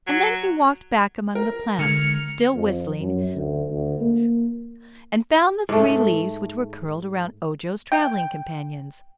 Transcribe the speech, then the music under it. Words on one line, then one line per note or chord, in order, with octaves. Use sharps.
And then he walked back among the plants, still whistling, and found the three leaves which were curled around Ojo's traveling companions.
F#3
A#4
D3 G#3 F6 G#6 C#7
F2
F#2
D2
D2
A#3
G#2 A3
G5